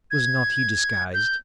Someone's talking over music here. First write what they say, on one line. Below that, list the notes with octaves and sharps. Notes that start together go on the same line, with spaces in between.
Was not he disguised?
G#6
G6